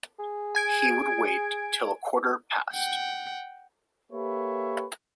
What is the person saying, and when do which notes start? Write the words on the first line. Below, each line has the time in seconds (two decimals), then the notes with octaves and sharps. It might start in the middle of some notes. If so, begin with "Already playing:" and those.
He would wait till a quarter past.
0.19 G#4
0.55 G#5 G#6 D7
2.73 F#5 G5
4.12 A#3 G4 A4 B4 C#5 E5